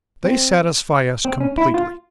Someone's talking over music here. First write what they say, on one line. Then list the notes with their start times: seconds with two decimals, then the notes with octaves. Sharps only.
They satisfy us completely.
0.25 C4
1.25 C4
1.40 C#4
1.58 E4
1.74 F4